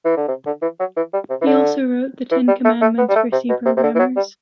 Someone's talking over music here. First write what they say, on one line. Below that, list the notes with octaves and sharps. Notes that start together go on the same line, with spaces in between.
He also wrote "The Ten Commandments for C Programmers".
E3
D3
C3
D3
E3
F#3
E3
G3
C3
E3
D3
E3
G3
A3
A3
B3
G3
A3
C3
B2
C3
C3
D3
E3
F#3
G3